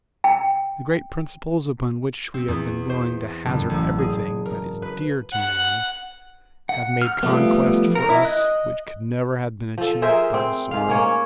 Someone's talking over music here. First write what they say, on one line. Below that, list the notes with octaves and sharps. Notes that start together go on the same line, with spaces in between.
The great principles upon which we have been willing to hazard everything that is dear to man, have made conquests for us which could never have been achieved by the sword.
G5
C4
E2
C5
F#1
A1
G#4
A#4
B4
F#5
F#5
F6
F3 G3 A3 B3
A#4
E4
D#5 F#6
F3 A4
G#4 A#4 C5 E5
C4
G#2 F5
A#3 C#4 C#5